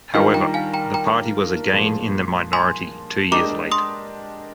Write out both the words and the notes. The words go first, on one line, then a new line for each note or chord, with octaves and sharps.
However, the party was again in the minority two years later.
D#3 G3 D4 F4 A#4 D#5 G5
G5 A#5
F5 G#5
G5 A#5
G5 A#5
A#2 F3 G#3
G#5 C6
G#3 D4 G4 A#4 D#5 A#5 D6
C6 D#6